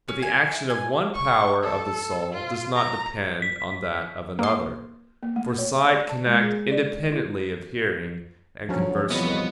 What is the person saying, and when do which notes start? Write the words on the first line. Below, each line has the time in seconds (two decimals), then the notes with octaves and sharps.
But the action of one power of the soul does not depend on that of another; for sight can act independently of hearing, and conversely.
0.08 C#4
0.22 G#5
0.53 E4
0.70 G#5
1.14 C#6
1.63 A4
2.33 F4
2.75 A#5
3.42 B6
4.39 A#3 C6
5.23 A#3
5.36 A3
5.58 C#5
5.78 E5
5.95 D5
6.09 A5
6.26 G#3
6.43 G#4
6.71 D5
7.12 E4
8.69 D2 F3 F#3 C#4
9.10 F2 E3 F3 G3 B3 C#5 D#5